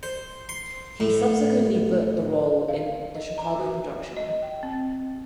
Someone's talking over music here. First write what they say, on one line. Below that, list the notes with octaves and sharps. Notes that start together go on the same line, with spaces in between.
He subsequently booked the role in the Chicago production.
C5
C6
A2
F5
D#5
A#5
F#4
D#5
G5
C4